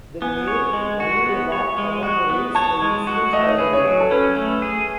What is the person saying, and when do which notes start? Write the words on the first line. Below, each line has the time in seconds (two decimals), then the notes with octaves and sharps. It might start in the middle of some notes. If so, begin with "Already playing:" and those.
The name Manurewa commemorates the incident by the name.
0.22 B3 G#5
0.48 C#5
0.73 G#3
1.00 F#4
1.26 B3
1.52 C#5
1.78 G#3
2.03 F#4
2.30 B3
2.55 C#5 A5
2.82 G#3
3.07 F#4
3.33 A3 D#5
3.47 C#5
3.58 G#4 B4
3.73 C#5
3.85 F#3
4.00 A4
4.11 C#4 B4
4.36 A3
4.62 G#4